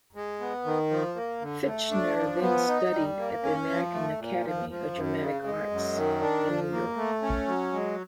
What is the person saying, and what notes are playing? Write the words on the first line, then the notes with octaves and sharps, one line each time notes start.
Fichtner then studied at the American Academy of Dramatic Arts in New York.
G#3
B3
D#3
F3
A#3
D3
A3
D4
F3
B3
D#4
G3
A#3
C#4
F3
A3
A#2
F3
F3
F#2
C#3
G#3
F#2
D#3
D4
F3
A#3
A3
C#4
F#3
G#3